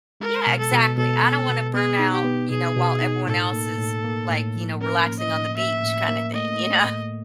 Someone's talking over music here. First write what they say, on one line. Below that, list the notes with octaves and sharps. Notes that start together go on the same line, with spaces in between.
Yeah, exactly. I don't wanna burn out, you know, while everyone else is, like, you know, relaxing on the beach, kinda thing, you know?
G#3 A#4
B2
A4
B2
B2 A4
B3
B2
B3 G#4
D#4
G4
B3
B2 G#4
B2
D#4
A2 A4
A#3
A2
A#3
A2
F3
C#4 A#4
A#3
D#5
A2
A#3 E5
A2
A#3
A3 D#5
A3
A2